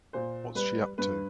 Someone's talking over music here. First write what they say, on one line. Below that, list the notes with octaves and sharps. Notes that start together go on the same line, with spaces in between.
What's she up to?
A#2 C5
G3 B4
G2 B4